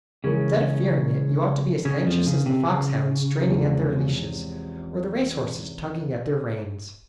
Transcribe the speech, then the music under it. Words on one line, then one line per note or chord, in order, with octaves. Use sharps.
Instead of fearing it, you ought to be as anxious as the fox hounds straining at their leashes, or the race horses tugging at their reins.
C#3 E3 G#3 C#4 E4 A#4
C#3 C#4
F2 F3
C#3
C3
C#3
E2 C3 F3 G#3 C#4